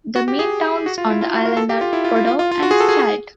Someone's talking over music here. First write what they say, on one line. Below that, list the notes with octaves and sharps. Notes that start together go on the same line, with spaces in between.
The main towns on the island are Podor and Salde.
F#4
G4
G#4
F#4
F4
E4
F4
F#4
A#4
A4
G4
F4
E4
F4
F4
F4
F4
F4
F#4
G#4
A4
G#4